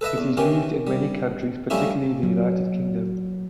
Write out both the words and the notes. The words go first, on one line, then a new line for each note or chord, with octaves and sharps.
It is used in many countries, particularly the United Kingdom.
A4 B4 D#5 E5
E2
D#3 E3 C#4 G4
G3
F3 G3 A3 C#4 D#4 E4
F#3